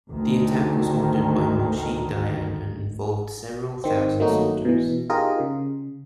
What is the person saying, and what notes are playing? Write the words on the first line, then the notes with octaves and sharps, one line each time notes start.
The attack was ordered by Moshe Dayan and involved several thousand soldiers.
D2 D#3
D#3 C4
D#3 F#3 A3 A#3 D#4 F#4
B2 E3
D#4 F4 G4 G#4 A#4 D#5
C#3